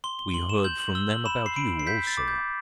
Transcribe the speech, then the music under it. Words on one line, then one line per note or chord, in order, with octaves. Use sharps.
We heard from them about you also.
C6 G7
G7
C6 F#7
E7
G6 F#7
F#7
E6 G7
F#7
B5 E7
C7
B5 D7
C7
G6 B6
A6
D6
G6